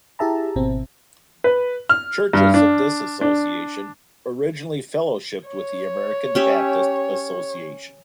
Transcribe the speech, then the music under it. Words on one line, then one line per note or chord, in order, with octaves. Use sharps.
Churches of this association originally fellowshipped with the American Baptist Association.
E4 G4 G#4 E5 A5 A#5
G#1 B2 C4
B4
F6
G2
D4
D4
C#5
C#4 G4 E5